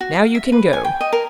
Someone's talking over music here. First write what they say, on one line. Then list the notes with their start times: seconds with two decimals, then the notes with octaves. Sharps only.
"Now you can go."
0.01 F#4
0.13 F5
0.35 E5
0.52 B4
0.73 G#5
0.84 G5
1.01 D#5
1.13 A#4